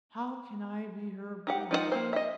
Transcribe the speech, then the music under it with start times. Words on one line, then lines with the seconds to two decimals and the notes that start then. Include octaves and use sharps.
How can I be her brother?
1.47 D#4 G4 F#5
1.71 F3 D#4 F#4 F#5
1.92 A#3 C4 C5
2.13 D#5 E5